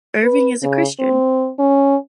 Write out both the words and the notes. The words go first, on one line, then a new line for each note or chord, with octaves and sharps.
Erving is a Christian.
B4
C#3
C4
C#4